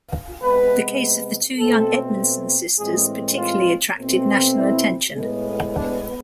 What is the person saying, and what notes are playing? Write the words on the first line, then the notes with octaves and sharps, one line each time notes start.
The case of the two young Edmonson sisters particularly attracted national attention.
C3 G#3 B3 B4
B2 A3 C4 A4
A2 E3 G#3 C4 G#4
F4
B2 A3 C4
E4
A2 G#3 B3
D4